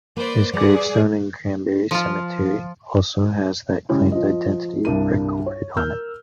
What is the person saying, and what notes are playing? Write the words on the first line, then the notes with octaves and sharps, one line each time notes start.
His gravestone in Granbury Cemetery also has that claimed identity recorded on it.
A#3 B4 C5 D5
G3 G#4 B4 D5 F#5
F3 F4
C#3 G3 G#3 C#4 E4
F3 D#5
C2 G2 D4 A#4 D#7
C#5
A#4 E6 F6 G6